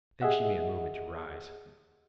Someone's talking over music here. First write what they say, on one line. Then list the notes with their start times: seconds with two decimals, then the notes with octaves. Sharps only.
Then she made a movement to rise.
0.22 G4 G#4 D#5 E5 F#5